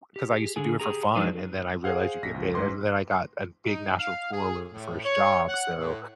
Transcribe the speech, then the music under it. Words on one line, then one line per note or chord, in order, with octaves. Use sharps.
'cause I used to do it for fun, and then I realized you get paid, and then I got a big national tour with first job, so
G4
G4 G#4
D3 G#4 G#5
G4 G#4 A#5
F3 F#3 G#3 D4 D#4 B4
G#4 C5 F5 F#5
A#1 A#6 B6
C#2 F3
A1 G#2 B4 C6 D6
D#4
F5
G#4
A2
C#5
F#5
A2